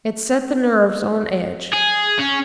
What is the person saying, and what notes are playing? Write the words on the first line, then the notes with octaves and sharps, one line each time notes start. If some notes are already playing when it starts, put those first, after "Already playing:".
It set the nerves on edge.
G#4
C#4